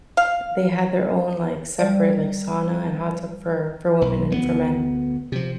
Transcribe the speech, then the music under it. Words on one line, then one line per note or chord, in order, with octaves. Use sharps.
they had their own, like, separate, like, sauna and hot tub for for women and for men.
F5
G3 D5
B1
D2 G#3 B3
C3 F3